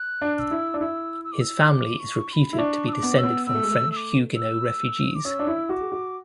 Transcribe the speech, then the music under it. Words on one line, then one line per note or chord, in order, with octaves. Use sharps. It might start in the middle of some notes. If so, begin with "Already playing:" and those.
His family is reputed to be descended from French Huguenot refugees.
Already playing: F#6
D4
F#6
E6
E4
D4
E4 E6
E6
D6
E6
D6
C#6
C#6
B5
E4
D4 C#6
E6
D6
B3
C#4
E6
B3
B3 E6
A3
G#3
A3
E6
D6
E6
D6
C#4 E6
D4
E4
F#4 D6
G#4
F#4